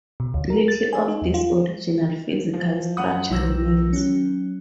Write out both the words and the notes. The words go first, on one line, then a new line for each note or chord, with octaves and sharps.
Little of this original physical structure remains.
B2
D2
A#4
A6
G#5
D#4
E2
F4
F3
F#2 F#5 B5 D#6
B1 D#3 E6 A#6
F#3 C#4